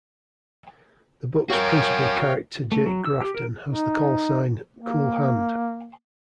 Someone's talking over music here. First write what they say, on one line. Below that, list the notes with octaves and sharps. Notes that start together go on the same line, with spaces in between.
The book's principal character Jake Grafton has the call sign "Cool Hand".
F#4 A#4 C#5 F5 G5
A3
F#3
E6
G4
A#4
D#4
A#3